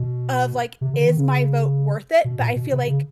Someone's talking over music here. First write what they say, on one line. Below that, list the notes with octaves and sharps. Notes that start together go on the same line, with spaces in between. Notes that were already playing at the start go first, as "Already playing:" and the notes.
of, like, "Is my vote worth it?" But I feel like
Already playing: B2
C3
D3
D#3
C#3
B2
A#2
B2
C3
C#3